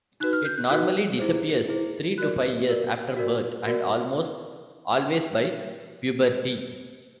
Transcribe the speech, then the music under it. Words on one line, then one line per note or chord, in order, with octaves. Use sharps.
It normally disappears three to five years after birth and almost always by puberty.
D#4 F#4 B4 F#6
F6
G6
F#6
D#4 F#4 B4 F#6
E4 G#4 C5
E4 G#4 C5
F#4 A#4 D5 F#6
F#4 A#4 D5
F#4 A#4 D5
F#4 A#4 D5